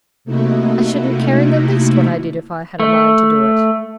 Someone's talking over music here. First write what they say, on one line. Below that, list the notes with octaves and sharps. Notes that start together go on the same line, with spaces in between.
'I shouldn't care in the least what I did if I had a mind to do it.'
C3 A3 A#3 D#4 E4 F#4
A3